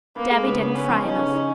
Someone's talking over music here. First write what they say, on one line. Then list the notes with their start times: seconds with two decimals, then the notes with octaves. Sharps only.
Debby didn't fry enuff.
0.16 A#3 B3
0.31 G#3
0.46 C#3 B3
0.60 C#3
0.75 B3 C#4
0.90 F3
1.04 C#4 D#4
1.19 C#3
1.34 D#4